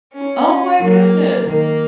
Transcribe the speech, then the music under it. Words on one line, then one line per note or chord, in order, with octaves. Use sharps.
Oh, my goodness.
C#4
C#4
F#3 A#3
D#3 A#3